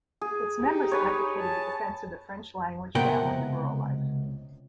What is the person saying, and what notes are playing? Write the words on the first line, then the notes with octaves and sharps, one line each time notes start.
Its members advocated the defense of the French language, family, and rural life.
G#4
D#4 G4
G#4 B4 C#5
A5
C#2 C3 B3 A#4 F#5 G5